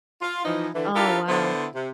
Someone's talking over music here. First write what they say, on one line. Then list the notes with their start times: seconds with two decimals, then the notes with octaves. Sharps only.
Oh, wow.
0.22 F4
0.45 E3 F3 D#4
0.74 D3 E3
0.95 D4 E4 F4 G4 A4 A#4
1.28 D3 B3 E4 C5
1.75 C3